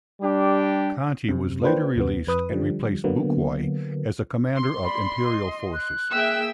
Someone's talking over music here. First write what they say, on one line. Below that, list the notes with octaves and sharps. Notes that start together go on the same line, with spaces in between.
Conti was later released and replaced Bucquoy as a commander of Imperial forces.
G3 D4 G4
F#2 C3
A#3 D4 F4 B4 C5 G5
D#2 C3 B3
F2 B4 D#6
D3 F3 G3
D3 F#3 A#3 B3
C6
D5 B5
D#5
F#6
A#3 G#4 E5 G5 E6